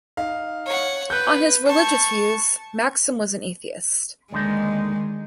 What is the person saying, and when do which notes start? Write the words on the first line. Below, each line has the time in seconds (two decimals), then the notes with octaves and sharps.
On his religious views, Maxim was an atheist.
0.17 D#4 F5
0.66 C#5 F#5
1.10 B4 F#6 G6
1.65 A5 C#6
4.32 D#2 D3 D#3 G#3 D#4